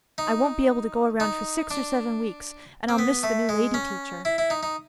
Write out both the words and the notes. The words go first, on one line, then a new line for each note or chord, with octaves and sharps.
I won't be able to go around for six or seven weeks and I'll miss the new lady teacher.
D#4
D#4
D4
C4
B3
A3
G#3
C#4
E4
E4
D#4
D#4